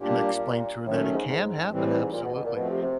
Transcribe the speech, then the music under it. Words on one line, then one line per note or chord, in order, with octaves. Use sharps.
and I explained to her that it can happen, absolutely,
A#2 G3 A#3 D4 G4
A2 D#3 F#3 A3 C#4
G#2
G#2
A2 E3 G3 C4
G2
G#2
A#2
B2
B2
A#2
B2 F3 A3 C4
C3
C3